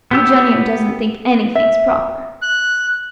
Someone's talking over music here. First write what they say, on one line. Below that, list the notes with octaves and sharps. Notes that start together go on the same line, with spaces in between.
"Eugenio doesn't think anything's proper."
B3 G4 E6
E5
F#6